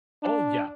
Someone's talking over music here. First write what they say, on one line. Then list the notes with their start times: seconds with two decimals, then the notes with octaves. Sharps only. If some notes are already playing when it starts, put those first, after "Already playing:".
Oh, yeah.
0.23 D4